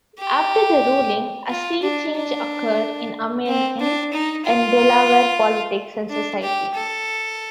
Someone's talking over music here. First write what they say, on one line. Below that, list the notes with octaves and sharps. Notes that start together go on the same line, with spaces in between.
After the ruling, a sea change occurred in American and Delaware politics and society.
G4
F4
D4
D4
C4
D4
D#4
F4
D4
G4
A4